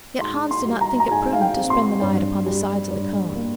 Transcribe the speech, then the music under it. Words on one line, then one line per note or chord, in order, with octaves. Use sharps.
Yet Hans did not think it prudent to spend the night upon the sides of the cone.
G#2 C6
C6
G3
A#5
A#5
G#2 G#5
F5
G5
C4
C6
G2
G3
G2
A#3